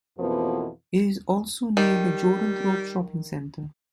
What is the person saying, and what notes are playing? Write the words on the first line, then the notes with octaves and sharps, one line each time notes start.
It is also near the Jordanthorpe Shopping Centre.
F2 B2 E3 F3 A#3 B3
D#3 G3